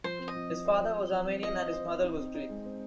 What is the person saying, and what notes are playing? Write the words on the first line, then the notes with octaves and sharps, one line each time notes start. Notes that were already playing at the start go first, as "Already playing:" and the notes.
His father was Armenian and his mother was Greek.
F3 C5
C4
D#5
F3
F3
C5
F4
C4
F3
C4
F4 D#5
F4
C5
C4
D#4
C4
D#4
G#3
C4